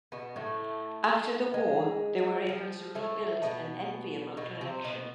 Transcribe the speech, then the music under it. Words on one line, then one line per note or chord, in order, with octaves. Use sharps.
After the war they were able to rebuild an enviable collection.
B2 B3
A2 A3
G#3
F3
A2 A3
B2 B3
B2 B3
C3 C4
B2 B3